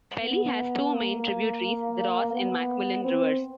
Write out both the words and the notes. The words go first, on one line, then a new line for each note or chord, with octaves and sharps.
The Pelly has two main tributaries, the Ross and Macmillan rivers.
B3
A#3
B3
C4